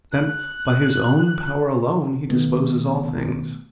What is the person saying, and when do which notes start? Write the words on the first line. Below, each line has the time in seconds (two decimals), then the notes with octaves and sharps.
'Then, by His own power alone He disposes all things.'
0.12 F#6
2.30 B2 D#3 A3 B3